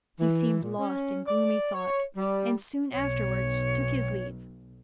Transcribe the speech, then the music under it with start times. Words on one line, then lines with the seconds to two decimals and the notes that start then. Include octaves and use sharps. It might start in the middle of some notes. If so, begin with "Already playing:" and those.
He seemed lost in gloomy thought, and soon afterwards took his leave.
0.19 E3
0.62 A#2
0.78 C#4
1.27 D5
1.73 C#5
2.17 G3
2.92 B1 C#5